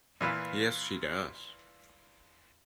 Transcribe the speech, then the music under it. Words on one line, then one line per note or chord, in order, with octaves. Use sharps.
Yes, she does.
A#2 E3 B4 F5